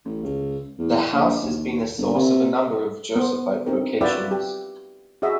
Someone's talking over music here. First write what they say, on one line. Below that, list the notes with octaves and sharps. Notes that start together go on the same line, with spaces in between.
The house has been the source of a number of Josephite vocations.
A1
C#2
E2
A#1
D#2
G1
C3
B3 C5
C4 D4 D#4 G4 A#4
F4 F#4 B4 D5 E5 G5
G4
F#4 G#4 D#5 E5